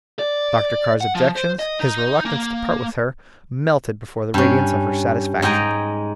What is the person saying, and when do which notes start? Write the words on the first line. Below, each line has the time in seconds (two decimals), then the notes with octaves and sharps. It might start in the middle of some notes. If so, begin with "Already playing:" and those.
Dr. Carr's objections, his reluctance to part with her, melted before the radiance of her satisfaction.
0.19 D5
1.01 F#5
1.15 F3
1.36 C5
1.59 D#5
1.80 D#4
2.25 A#3
4.34 G2 C#4
5.42 G#2 D#5 G5 G#5 A#5